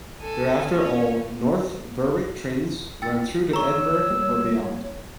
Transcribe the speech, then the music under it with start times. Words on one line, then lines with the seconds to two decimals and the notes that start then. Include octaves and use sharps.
Thereafter, all North Berwick trains ran through to Edinburgh or beyond.
0.20 A4 G#5
0.73 C#4 C#5
3.02 G5 E6 A6
3.53 C#5 A#5 C#6 E6
4.10 G3 A#3